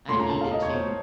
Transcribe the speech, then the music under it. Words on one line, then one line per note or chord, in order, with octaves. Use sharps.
I needed to
A#2 A3 C#4 C6
A#5
A5
F5
D#5
C#5
C5